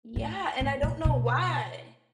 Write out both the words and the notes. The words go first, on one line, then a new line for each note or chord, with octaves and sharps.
Yeah, and I don't know why.
A2
A2
A#2
B2